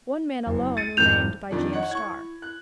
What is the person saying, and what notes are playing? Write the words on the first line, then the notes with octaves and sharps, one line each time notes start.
One man alone remained by James Starr.
F#1
A6 C#7 D#7
G#1 F2 A2 G6 F7
F2 D#3 D4 F4
C#5 D#5 F#5
E4 C#6 G#6
F#6